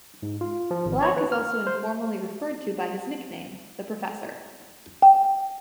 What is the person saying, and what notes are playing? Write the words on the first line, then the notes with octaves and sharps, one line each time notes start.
Black is also informally referred to by his nickname, The Professor.
G#2
F4
F3
G#1
C#5
B4
F6
C5
G5